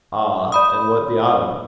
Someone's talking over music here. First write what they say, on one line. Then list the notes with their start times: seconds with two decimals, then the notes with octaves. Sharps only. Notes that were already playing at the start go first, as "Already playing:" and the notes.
Ah! and what the autumn?
0.52 D5 B5 D#6